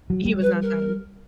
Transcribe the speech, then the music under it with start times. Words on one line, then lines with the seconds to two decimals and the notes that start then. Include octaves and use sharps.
He was not them.
0.10 F#3
0.25 G3
0.42 B4
0.62 A#4